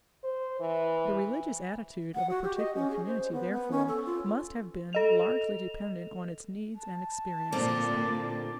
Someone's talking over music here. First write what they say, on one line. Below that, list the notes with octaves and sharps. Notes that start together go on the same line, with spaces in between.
The religious attitude of a particular community, therefore, must have been largely dependent on its needs and experiences.
C5
E3
F#5
F#4
G4
D#5
C#4
G#4
C5
B3
B3
C#4
A4
F4
A4 D#5 F7
A5
A#2 D3 A#3 C4 D5